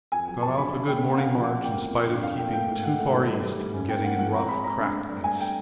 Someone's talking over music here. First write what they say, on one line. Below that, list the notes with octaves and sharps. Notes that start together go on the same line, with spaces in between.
Got off a good morning march in spite of keeping too far east and getting in rough, cracked ice.
F2 G#5
F#3
F2 A5
D3 B5
C#4 B5
A#3 G5
C#4 F#5
C#4 F5
F3 F#5
F3
A#3 G5
F2
F2
D3
F2 F5
A#3 G5
A3 G5
G#2
A3 F#5
A3
D#3
G3
G3
G#2
C#4
A#3 G5
G#2 F#5
F3 F#5
C4 A#5
G#3 B5
G#3 A#5
D3
A3
G2
A3 G#5
G5